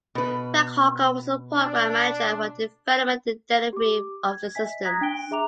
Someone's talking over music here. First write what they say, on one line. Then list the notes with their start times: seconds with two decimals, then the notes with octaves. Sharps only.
Jack Harker was the Program Manager for the development and delivery of the systems.
0.15 B2 B4
1.59 D4
3.73 G4 D6
4.28 G#6
4.55 D#5 E5 G#5 B6
4.85 A#5 D#6 F#6 G#6 A#6 B6
5.01 D4 G5 G#5 F#6 D7 G7
5.31 G#4 E5 A#5 D6 F7